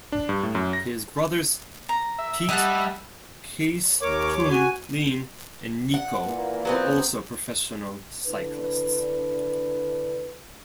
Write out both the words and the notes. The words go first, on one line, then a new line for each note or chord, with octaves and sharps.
His brothers Piet, Kees, Toon, Leen and Nico were also professional cyclists.
D4
G2
A2
F#2
A#6
A#5
E5
G3 D#5 F#5 A5
D#2 A#4 C#5 D6
F#4 G#5
F#5
A#2 E3 A#3
F#3 B3 C4
D3 D4 E4 B4